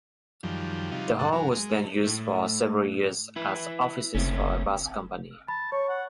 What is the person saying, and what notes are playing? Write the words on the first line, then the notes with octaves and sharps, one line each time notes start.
The Hall was then used for several years as offices for a bus company.
F#2 D#3 F3 G3
C3 F#3 G3 D#4 F4
G2 C3 F#5 A5
F#3 A#4
G#3
A2 A3
E4 B4
F#1 A3 C4 C#4
A5 B5
C#5 C#6
F#5